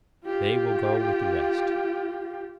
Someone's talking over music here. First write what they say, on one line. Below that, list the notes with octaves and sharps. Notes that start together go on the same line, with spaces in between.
They will go with the rest.
F4 G4